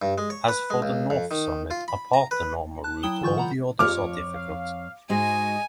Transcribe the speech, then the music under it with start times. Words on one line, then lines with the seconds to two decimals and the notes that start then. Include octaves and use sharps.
As for the North summit, apart the normal route all the others are difficult.
0.02 G2
0.18 G#3
0.30 C#5
0.48 B4
0.70 G#3
0.82 C#2
1.10 F2
1.31 D#3
1.71 F4
1.88 B5
2.13 A#5
2.31 B4
2.84 A5 F#6
3.03 F#3 E4 G5 D#6 E7 G7
3.21 D3 E3 F4 C#6 G6
3.38 F#5 A#5 B5
3.79 F2 F3 C#5 D6 F6
4.34 F5
5.09 G#2 G#3 F#4 D#5 G#5